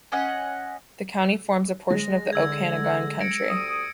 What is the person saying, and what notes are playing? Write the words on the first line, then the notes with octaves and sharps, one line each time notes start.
The county forms a portion of the Okanogan Country.
C#4 D#5 F#5
G#3 A#6
D3 E6 G#6
A#6 C#7 D7
D2 G3 D#6